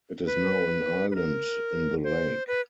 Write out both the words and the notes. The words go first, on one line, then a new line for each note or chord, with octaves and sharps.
It is now an island in the lake.
B4
B4
A#4
C5
B4